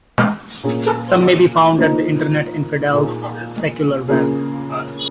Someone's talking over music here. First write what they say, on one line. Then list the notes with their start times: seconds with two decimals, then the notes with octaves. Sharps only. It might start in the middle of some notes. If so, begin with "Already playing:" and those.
Some may be found at the Internet Infidels' Secular Web.
0.63 A#2 A#3 C#4 G#4
1.78 F3 A#3 D#4
2.93 A#2 A#3 D#4 G#4
4.08 C#3 A#3 F4 G#4